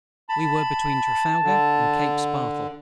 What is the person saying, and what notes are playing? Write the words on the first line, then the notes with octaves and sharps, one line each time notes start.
We were between Trafalgar and Cape Spartel.
A5 B5
D3